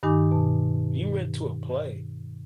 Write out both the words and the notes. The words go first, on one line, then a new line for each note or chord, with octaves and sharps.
you went to a play.
G2 D#3 D#4 G4 G#5 D6
B2 A5